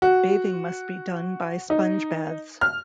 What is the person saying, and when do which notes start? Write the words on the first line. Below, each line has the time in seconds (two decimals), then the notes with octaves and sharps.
Bathing must be done by sponge baths.
0.02 F#4
1.70 D#4
2.61 F6